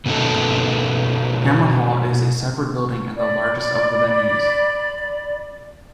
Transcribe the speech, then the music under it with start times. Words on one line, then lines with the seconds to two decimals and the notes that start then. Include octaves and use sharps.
Hamer Hall is a separate building and the largest of the venues.
0.06 B2 A#3 B3 C#4 D#4 A4
3.16 D5 B5